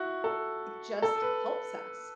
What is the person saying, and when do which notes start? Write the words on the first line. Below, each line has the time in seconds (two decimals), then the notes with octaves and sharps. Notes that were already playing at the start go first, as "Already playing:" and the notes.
it just helps us.
Already playing: E4 F#4
0.24 A4
1.02 A4
1.22 B4